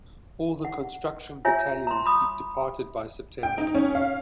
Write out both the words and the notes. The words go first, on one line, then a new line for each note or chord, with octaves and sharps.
All the construction battalions departed by December.
F#5
F4 C#5 E5 G#5
A#5 C6
B5 D#6
G5
D#4
C#4
F5